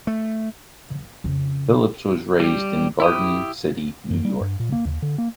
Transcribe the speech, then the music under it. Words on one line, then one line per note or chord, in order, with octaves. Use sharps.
Phillips was raised in Garden City, New York.
A3
F2 C#3
G3 G4
E4 G4 D#6
F#2
G3
G2
A#2
A#3
D#2
D3
A#3